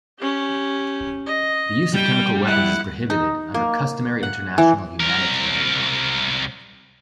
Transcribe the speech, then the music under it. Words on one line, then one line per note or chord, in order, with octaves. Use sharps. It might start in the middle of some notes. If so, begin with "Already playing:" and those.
The use of chemical weapons is prohibited under customary international humanitarian law.
C#4 G4
D#5
G3 G5
E4 F#5
D#4
A#3
F#5
E3
C2 A#4